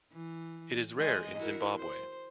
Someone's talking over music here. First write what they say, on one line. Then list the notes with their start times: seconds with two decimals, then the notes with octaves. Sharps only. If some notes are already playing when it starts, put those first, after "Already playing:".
It is rare in Zimbabwe.
0.13 E3
0.98 G#3 D#5
1.38 E4 F#4 A#4
1.77 C5